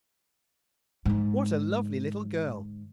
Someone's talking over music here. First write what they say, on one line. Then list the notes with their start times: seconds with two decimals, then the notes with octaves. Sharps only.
'What a lovely little girl!
1.05 G#2 D3